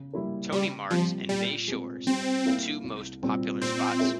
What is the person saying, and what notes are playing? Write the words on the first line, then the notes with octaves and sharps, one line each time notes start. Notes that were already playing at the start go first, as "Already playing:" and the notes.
Tony Marts and Bay Shores, the two most popular spots.
Already playing: C#3
G3 A#3 E4 A#4
C#3 G3
F3 G3 C4 F4
A#2 G3
G#3 C4
G3 C4
A#3 E4 A#4 F5
C2
A#2 G3 C4 G4
A#2 C4
G#3 E4 A#4 E5